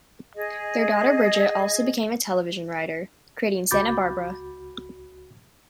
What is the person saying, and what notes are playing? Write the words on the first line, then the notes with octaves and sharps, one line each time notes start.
Their daughter Bridget also became a television writer, creating "Santa Barbara".
G#4 D#5
C#2 F#4 B5 D6 G6 A6